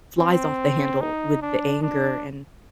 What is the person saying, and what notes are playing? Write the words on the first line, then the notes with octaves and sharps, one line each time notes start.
flies off the handle with the anger. And,
C4
D#4
D4
D4